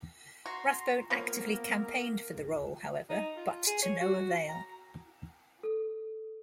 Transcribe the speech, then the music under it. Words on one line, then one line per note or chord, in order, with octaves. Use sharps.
Rathbone actively campaigned for the role, however, but to no avail.
F#4 A#5 C6
F3 A#3 B3 A#4 B4 C#5
D#4
F4
G#4
C#5
F#4
A#5
A4